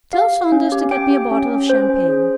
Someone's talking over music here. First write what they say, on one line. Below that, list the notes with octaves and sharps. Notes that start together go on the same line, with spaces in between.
Tell Saunders to get me a bottle of champagne.
G4 F5
G4
C#4
G4
G4 G5
G4
C#4
C#4
C#4 C5
C#4
G#4